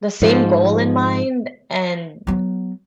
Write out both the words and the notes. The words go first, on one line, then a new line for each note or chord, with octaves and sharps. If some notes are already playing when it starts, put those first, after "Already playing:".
the same goal in mind and
G#2 F3
F#3 B3